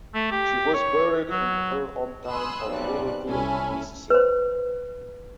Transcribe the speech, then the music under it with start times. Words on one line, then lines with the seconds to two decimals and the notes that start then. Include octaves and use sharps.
She was buried in her hometown of Ruleville, Mississippi.
0.15 A3
0.31 G4
0.74 C#5
1.31 F#3
2.27 G#5 B5 C6 D#6 E6 F#6
2.70 B1 G3 C4 D5 F#6
3.30 C2 C#4 E4 A4 G#5 B5
4.10 B4 C5